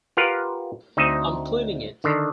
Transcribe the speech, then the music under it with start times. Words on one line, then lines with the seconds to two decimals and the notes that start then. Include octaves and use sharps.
I'm cleaning it.
0.17 F4 G4 A#4 B4 F5 F#5
0.97 D2 C4 D#4 D#5 E5
2.04 D3 D#3